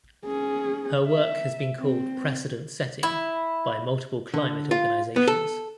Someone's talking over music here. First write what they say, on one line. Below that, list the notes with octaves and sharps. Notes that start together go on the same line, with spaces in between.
Her work has been called "precedent setting" by multiple climate organizations.
C#4 G#4
E5
C4
E4
D3
F4
B3
A4